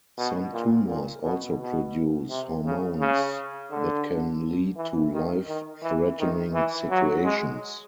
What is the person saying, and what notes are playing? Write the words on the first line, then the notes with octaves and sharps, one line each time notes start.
Some tumors also produce hormones that can lead to life-threatening situations.
B2
A#2
A#2
B2
B2
C3
C#3
C#3
D3
E3
D#3
D#3
E3
D#3
E3
F#3
G#3